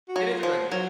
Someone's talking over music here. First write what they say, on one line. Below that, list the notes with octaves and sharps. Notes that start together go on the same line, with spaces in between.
It is a great movie.
F#4
F#3
F4
F3
F#3 F#4